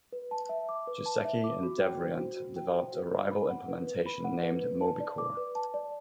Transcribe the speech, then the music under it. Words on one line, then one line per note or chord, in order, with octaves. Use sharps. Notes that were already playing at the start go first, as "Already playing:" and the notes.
Giesecke and Devrient developed a rival implementation named Mobicore.
B4
A5
E5
D6
B4
A5
E5
D6
F#4
G5
C5
F#4
F#4
G5
C5
F#4
B4
B5
F#5
B4
B4
B5
F#5
B4
B4
A5
D5
D6
B4
A5
D5